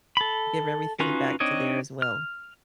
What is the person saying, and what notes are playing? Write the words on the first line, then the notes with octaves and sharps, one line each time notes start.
give everything back to there as well.
A4 B5
C#4 D#4 F4 F#4 B4
C4 D4 D#4 C#5 D#5
F6